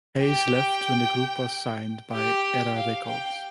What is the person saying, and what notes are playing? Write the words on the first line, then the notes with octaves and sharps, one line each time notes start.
Hays left when the group was signed by Era Records.
G4 G5
G4 G5
F5
G5